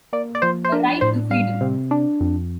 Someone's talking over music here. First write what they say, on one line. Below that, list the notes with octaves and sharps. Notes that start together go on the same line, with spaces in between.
A right to freedom.
A#3 D5
D5
F3 C5
C5
D4 A#4
A2 C5
G3 F5
C3
D4
F2